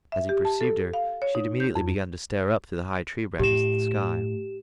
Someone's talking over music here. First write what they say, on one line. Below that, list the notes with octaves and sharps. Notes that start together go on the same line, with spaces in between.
As he perceived her, she had immediately begun to stare up through the high tree branches at the sky.
E5
G4
A5
A4
F5
C#5
D#4
G6
F2
A2 G4 E7